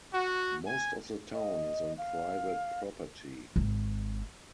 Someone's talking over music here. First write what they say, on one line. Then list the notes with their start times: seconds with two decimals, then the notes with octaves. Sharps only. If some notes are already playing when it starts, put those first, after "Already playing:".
Most of the town is on private property.
0.14 F#4
0.66 G#5
1.33 D#5
1.98 F5
3.56 G#1 D#4